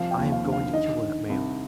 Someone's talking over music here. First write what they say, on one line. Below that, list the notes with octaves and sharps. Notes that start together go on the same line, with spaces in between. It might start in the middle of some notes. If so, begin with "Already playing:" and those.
I am going to kill that man.
Already playing: C2 F3 F5
G5
D#2
F5
D3
F5
D#3 D#5
D#3
C2